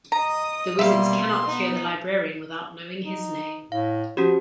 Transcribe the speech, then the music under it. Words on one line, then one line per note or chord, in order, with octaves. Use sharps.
The wizards cannot cure the Librarian without knowing his name.
D#5 A#5 D#6
B2 G3 A#3 E5 F5 C6
B3 D#4
D#4
A2 F5
F3 C#4 F#4 G4